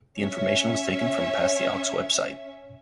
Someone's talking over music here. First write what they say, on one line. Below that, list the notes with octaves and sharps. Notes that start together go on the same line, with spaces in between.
The information was taken from "Pass the Aux" website.
C#4 E5